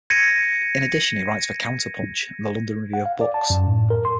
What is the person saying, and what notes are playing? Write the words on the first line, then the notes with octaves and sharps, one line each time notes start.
In addition he writes for "CounterPunch" and the "London Review of Books".
G#6 A#6 C#7 D#7
F#5
F5
D5
A5
F#2
A2
A#4
C6